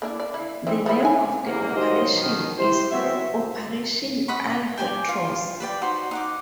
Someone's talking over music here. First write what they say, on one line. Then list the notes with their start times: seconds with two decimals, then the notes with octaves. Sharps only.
The name of the operation is Operation Albatross.
0.02 A#3 D4 E4
0.20 D5
0.34 E4
0.67 D#3 E3 C4
0.86 F3 G#3 E4
1.00 C#5 F#5 G#5
1.45 A1 E2 A#3
1.75 F#3 D#4 G4 A#4 C5 D#5
2.14 B2 D#3
2.58 E4 G4 C5
2.91 F#1 B3 C4 F#4 C#5 E5
4.28 D#5 F#5 B5 C#6
4.78 G5 G#5 D6
5.09 F4
5.60 B4 D5 G5
5.82 D#4 F#4 C5
6.11 D#4 F#5 D6